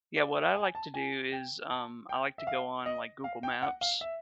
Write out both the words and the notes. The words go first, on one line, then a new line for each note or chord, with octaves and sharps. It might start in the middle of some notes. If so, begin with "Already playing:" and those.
Yeah, what I like to do is, um, I like to go on, like, Google Maps
D5
E5
G#5
A5
G#5
G5
A5
G5
E5
F5
D#5
F5
G5
F#5
F5
E5